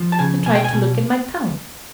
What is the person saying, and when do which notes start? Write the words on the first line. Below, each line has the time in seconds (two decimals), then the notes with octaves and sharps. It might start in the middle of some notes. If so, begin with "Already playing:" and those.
I tried to look at my tongue.
Already playing: F3
0.12 A5
0.19 C#3 G#5
0.46 B2 G#5
0.55 G5
0.64 G#5
0.73 B2